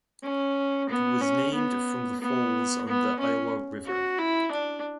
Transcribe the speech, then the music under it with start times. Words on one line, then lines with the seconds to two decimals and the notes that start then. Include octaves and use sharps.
It was named from the falls on the Iowa River.
0.23 C#4
0.89 B3
1.21 C#4
1.54 B3
2.20 B3
2.87 B3
3.19 C#4
3.86 F#4
4.18 E4
4.51 D4